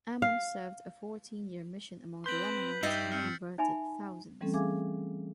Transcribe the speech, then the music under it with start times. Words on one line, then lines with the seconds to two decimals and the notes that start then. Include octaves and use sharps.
Ammon served a fourteen-year mission among the Lamanites and converted thousands.
0.22 F5
2.26 C4 B4 C6 G6 B6 F#7
2.83 G2 D#4 G4 D#5 E5 G6 A6 C7
3.12 C4 F6 C7 C#7
3.58 D#4 E5 G#5 A5 B5
4.41 E3 G3 A3 C4 C#4 A4
4.54 G#4 E5 F5 G#5 D6 G#6